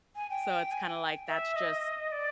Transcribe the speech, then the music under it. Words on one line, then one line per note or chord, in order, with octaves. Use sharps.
so it's kinda like that's just
G#5
G5
G#5
G5
E5
D#5
D5